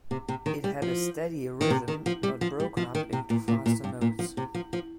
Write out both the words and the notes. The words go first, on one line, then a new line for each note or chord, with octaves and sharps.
It had a steady rhythm, not broken up into faster notes.
C3
C3
D#3
G3
F3
D#3
C3
D#3
F3
G3
F3
G3
F3
D#3
C3
A#2
A#2
A#2
G2
A#2
F3
C3
F3
F3